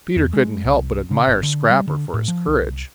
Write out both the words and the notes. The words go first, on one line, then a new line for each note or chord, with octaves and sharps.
Peter couldn't help but admire Scrapper for his courage.
E2
G#3
C2
C#3
G1
D3
G3
D3
A2
F3
C2